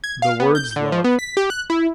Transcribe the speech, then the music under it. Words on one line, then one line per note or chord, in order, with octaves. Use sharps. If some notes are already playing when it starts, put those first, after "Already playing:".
The words Love.
G#6
F5
B3
G6
D3
F3
B3
B6
G4
F#6
E4